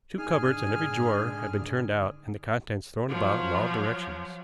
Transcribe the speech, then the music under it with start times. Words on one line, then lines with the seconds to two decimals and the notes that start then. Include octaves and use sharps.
Two cupboards and every drawer had been turned out and the contents thrown about in all directions.
0.18 G#2 D3 D4 D#4 G#4 G#5 F6
3.09 F3 F#3